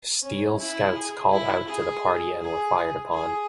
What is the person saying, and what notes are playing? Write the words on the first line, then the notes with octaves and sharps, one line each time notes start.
Steele's scouts called out to the party and were fired upon.
C#4
E4
G#4
E4
G#4
G#4
G#4